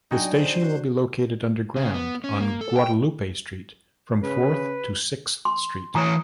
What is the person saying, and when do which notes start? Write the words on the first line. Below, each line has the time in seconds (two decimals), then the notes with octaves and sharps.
The station will be located underground on Guadalupe St from Fourth to Sixth Street.
0.11 F#3 D4 D#4 F#4 G5 G#5
0.32 C5 G5
0.62 F#4
1.76 C#3
1.94 B3
2.24 C#4
2.40 A#3
2.61 A4
2.76 G5
4.23 C#3 B4
5.45 C6
5.95 E3 C#5 A#5 D#6